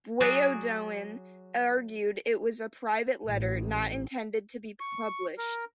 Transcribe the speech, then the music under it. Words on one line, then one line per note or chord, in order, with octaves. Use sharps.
Beaudoin argued it was a private letter, not intended to be published.
F#3 F#4 G#4 D5
A1
C#6
A#4